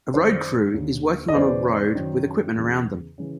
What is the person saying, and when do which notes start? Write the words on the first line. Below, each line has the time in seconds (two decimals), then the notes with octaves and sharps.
A road crew is working on a road with equipment around them.
0.14 F#2 D#3 C5 D5
0.74 D#2 D3
1.28 D#5
1.35 E2 C#3 E3 C5 D5
1.95 F#2 D#3
2.55 E2 C#3 E3
3.18 C#3 E3